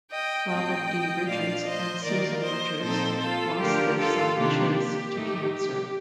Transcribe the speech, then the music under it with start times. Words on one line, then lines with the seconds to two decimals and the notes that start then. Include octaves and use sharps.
Robin D. Richards and Susan Richards lost their son Chase to cancer.
0.11 D#5 G5
0.50 A2 A3 C4 D#5 G5
1.27 A#2 F3 A3 D4 F4 D5 F5
1.65 C5 D#5
2.04 D#3 A#3 F4 A#4 D5
2.43 C5 D#5
2.81 A#2 F3 C4 D#4 A4 C5
3.21 F4 A4
3.59 D3 F3 A3 D4 F4 G4 A#4
3.98 F4 A4
4.37 C3 D#3 A#3 D4 F4 G4
5.14 A2 A3 D#4
5.53 G4